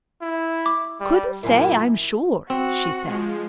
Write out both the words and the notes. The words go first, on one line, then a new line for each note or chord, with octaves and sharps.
"Couldn't say, I'm sure," she said.
E4
D6
G3
F#2 A#2 E4
C4 F#4
F3 G#3